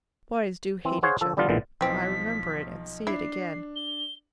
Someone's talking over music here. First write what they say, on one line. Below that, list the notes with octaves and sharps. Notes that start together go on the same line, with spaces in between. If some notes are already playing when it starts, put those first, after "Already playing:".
Boys do hate each other: I remember it, and see it again.
E3 C4
G#4 C5 C#5 F5 F#5
F3 A4
D3 G3 B3 D4 F4
B1 A#2 D3 E3 G#3
B1 E3 F3 C4 B6
D4 E4 C7
G7